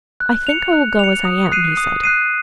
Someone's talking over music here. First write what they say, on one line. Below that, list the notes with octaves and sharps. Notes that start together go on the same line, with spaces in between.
"I think I will go as I am," he said.
F#6
C#7 F7
F#6
C#7 F7
D#6
F#6 C7 D#7
D#6
F#6 C7 D#7